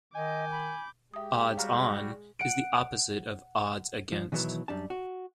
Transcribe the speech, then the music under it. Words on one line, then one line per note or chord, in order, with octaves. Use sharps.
"Odds on" is the opposite of "odds against".
D#3 D#5 G#5 D6 G6
B5
G#3 G4 E5 D#6
G3 F#4 F5 A#5 F6
F#5 D7
F3
B2 D#3 E3 F#3 B3 E4
F#2 G3 D4 A5
F#4